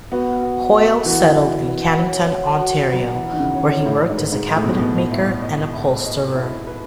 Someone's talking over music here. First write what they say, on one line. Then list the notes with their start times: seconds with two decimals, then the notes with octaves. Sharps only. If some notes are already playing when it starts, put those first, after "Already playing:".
Hoyle settled in Cannington, Ontario, where he worked as a cabinet maker and upholsterer.
0.12 B3 F#4
0.43 B3
0.74 F#4
1.05 E3 F#4
1.36 B3
1.67 B3
1.98 C#5
2.30 F#4
2.61 F#4
2.92 F#3 B3
3.16 E3
3.23 B3
3.33 D#3
3.40 C#3
3.55 C#5
3.86 A2 E4
4.10 G#2
4.17 B4
4.32 G#2
4.48 D#5
4.56 A2
4.64 B2
4.71 A2
4.79 B2 D#5
5.11 E4
5.42 D#5
5.73 E4
6.04 D#5
6.35 E4
6.67 B4